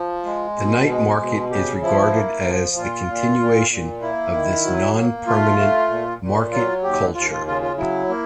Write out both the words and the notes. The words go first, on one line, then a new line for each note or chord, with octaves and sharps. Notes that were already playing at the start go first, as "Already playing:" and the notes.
The night market is regarded as the continuation of this non-permanent market culture.
Already playing: F3
G#3
B2
G#3
B2
C#3 G4
F3 E4
A#3
F3
A#2 F4
A#2
A#2
A#2
A#3 E4
D#3
F#3
A#3
A3 F4
A3
A#2
A#2
F#3 F4
D#2 G4
D#2 F4
F4
C#3 F4
F4
F#3 E4
A#3